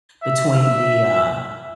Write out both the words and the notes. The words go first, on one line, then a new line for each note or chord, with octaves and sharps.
between the, uh,
E5
E5